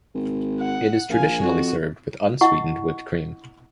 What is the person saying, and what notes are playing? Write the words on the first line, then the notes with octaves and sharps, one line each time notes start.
It is traditionally served with unsweetened whipped cream.
G#1
F#5
A#1 F4 G#5
F2 F#4
E4 D#5 F#5 C#6